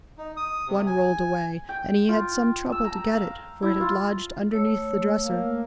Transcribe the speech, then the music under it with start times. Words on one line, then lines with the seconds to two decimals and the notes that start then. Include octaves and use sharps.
One rolled away, and he had some trouble to get it, for it had lodged underneath the dresser.
0.18 D#4
0.37 D#6
0.67 C3
0.87 G#5
1.69 G5
2.08 F4
2.72 E6
2.84 A#5
3.14 F5
3.62 E4
3.81 F4
4.52 A3 C#5 E6
5.21 A#3